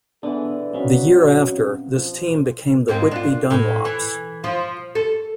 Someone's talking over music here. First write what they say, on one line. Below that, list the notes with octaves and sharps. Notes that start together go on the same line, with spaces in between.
The year after, this team became the Whitby Dunlops.
D3 E3 B3 D4 G#4
F#3 C4 C#4 D#5 F5 B5
F3
G#2 A#3 C4
D4 F4
A2
E3
F3 F4
A4